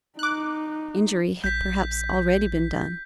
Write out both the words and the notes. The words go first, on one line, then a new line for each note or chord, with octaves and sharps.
Injury had perhaps already been done.
D#4 D6 F#6
A#1 G6 B6